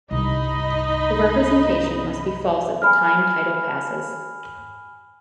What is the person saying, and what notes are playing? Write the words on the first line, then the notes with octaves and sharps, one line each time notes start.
The representation must be false at the time title passes.
G1 C2 D#4 D#5 B5
G#5 B5 F6